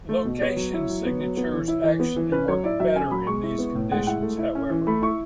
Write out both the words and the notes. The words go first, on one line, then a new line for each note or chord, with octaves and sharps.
Location signatures actually work "better" in these conditions however.
A3
B2
B3 C#5
F#3
E4
F#3
B3
F#3
B3
E3
E4
E3
B3
E3
C#4 B4
F#3 C#5
E4 D5
F#3 E5
C#4 G#5
F#3 B5
G#3 C#6
E4
B3
A2
G#3 F#5
E4 F#5
A3
E4
C#4
E3
A3 B5
E4 C#6